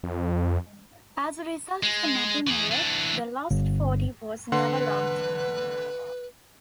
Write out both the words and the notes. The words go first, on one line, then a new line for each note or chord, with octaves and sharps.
As a result of the mapping error, the Lost Forty was never logged.
F2
G#3
E3 G#4
E3 D4
G1
D3 B4 F#5 C6